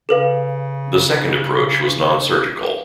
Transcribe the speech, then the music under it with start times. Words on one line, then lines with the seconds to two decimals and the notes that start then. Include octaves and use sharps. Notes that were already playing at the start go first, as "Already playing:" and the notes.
The second approach was nonsurgical.
0.09 C#3 A4 B4 F5